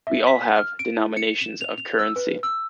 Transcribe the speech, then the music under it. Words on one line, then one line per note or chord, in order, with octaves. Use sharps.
We have all denominations of currency.
E5
B6
F6
D7
E4
C#7
E7
F7
F7
E6
B4
E6